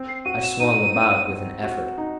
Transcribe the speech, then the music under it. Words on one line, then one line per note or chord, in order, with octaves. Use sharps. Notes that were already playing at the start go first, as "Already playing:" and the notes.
I swung about with an effort.
Already playing: C4
C7
F#4 D#7
E7
D#4 D#7
C4
C4
F#4
D#4